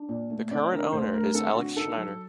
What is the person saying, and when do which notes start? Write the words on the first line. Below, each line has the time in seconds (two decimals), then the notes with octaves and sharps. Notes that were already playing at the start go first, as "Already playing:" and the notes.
The current owner is Alex Shnaider.
Already playing: D4
0.09 A#2
0.30 A3
0.51 C4 D5
0.72 D3 A#4
0.92 D2 C5
1.13 A3 A#4
1.34 C4 A4
1.55 D3 F#4
1.76 D#4 A4
1.97 F#3